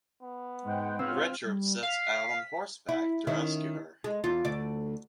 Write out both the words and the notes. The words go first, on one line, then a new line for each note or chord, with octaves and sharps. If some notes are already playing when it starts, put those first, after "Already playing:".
Richard sets out on horseback to rescue her.
B3
G#2 G#3 F#5 G5
C4 F4 B4 C#5 F6
G3
F5 B6
E4
D#3 C#4 E4
G#3
E2 F4
D2 D5